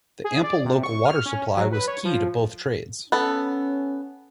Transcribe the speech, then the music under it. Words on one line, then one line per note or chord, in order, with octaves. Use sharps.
The ample local water supply was key to both trades.
G#4
D5
C3
C#6
F6
C#4
F#3
B4
C#5
F3
B3 C#4 A4